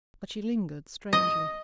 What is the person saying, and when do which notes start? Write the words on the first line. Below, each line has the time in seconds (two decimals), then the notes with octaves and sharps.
But she lingered strangely.
1.13 D#5